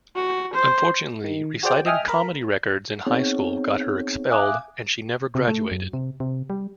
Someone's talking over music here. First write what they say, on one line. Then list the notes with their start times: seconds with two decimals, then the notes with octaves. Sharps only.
Unfortunately, reciting comedy records in high school got her expelled and she never graduated.
0.15 F#4
0.53 C5
1.24 D#3
1.63 F#4 G#4 C5 D5 G5
1.86 D#5 E5 G5 G#5 D#6 F6
2.08 A#4 B5
3.07 B3 C4 D#4 G#4 C#5
4.30 E5 F5 G#5 D6 D#6 F#6
5.35 C3
5.48 A3
5.72 F#2
5.93 C3
6.20 C3
6.50 G3